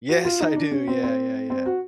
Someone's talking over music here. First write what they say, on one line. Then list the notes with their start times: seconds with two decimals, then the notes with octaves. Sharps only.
Yes, I do, yeah, yeah, yeah.
0.09 F#4
0.25 F4
0.40 D#4
0.56 D4
0.71 C#4
0.88 C4
1.03 C4
1.50 C4
1.66 F#4